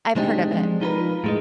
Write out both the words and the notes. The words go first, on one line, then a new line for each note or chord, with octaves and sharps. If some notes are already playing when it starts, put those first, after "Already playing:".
I've heard of it.
G#3 C4 D4 D#4 G4
F3 G#3
F3 D#4 F4 G#4 A#4 B4
A2 G#3 D#4